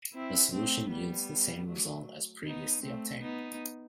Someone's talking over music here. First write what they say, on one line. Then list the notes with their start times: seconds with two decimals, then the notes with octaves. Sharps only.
The solution yields the same results as previously obtained.
0.14 C4 E4
0.52 A3 C4
0.91 G3 B3
1.67 F#3 A3
2.45 B3 D#4
2.83 A3 C4
3.21 B3 D#4